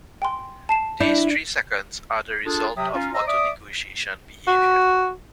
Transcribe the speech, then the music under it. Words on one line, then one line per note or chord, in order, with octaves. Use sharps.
These three seconds are a result of the autonegotiation behavior.
G5 G#5 C6
A5 C7 E7
D4 E4 G6
D4 F4 G#4 A4
C3 F#3 E5 G5 D#6
C#4 D#4 F4
C5 D#5 A#5 E6
D5 E5 D6 D#6
F#4